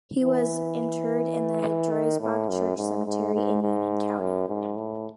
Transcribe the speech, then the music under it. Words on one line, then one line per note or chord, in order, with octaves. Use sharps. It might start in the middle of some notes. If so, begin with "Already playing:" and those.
He was interred in the Driesbach Church Cemetery in Union County.
E3
D#3
A2
F#2
G#2
G#2
G#2
G#2
F#2
G#2
A2